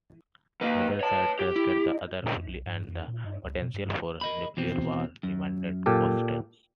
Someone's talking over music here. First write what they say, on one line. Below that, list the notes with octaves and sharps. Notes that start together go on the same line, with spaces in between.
Neither side trusted the other fully and the potential for nuclear war remained constant.
D#3 A#3 B4 D#5
C#5 A5
G4
E4
A#2
F2
B1
G2
F2
A#2
G2
C#2
B2
G2
A#4 D#5 B5
E2 B2 C4
F#2
A#2 G4 A4